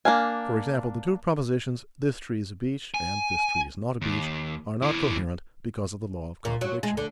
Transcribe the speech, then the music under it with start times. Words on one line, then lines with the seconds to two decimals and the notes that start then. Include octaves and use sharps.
For example, the two propositions, 'this tree is a beech' and 'this tree is not a beech', are not coherent, because of the law of contradiction.
0.05 A#3 D4 F5 G#5
2.94 G#5
4.02 D#2
4.82 D#2 E4
6.45 A#2
6.61 F#3
6.83 G#3
6.97 D3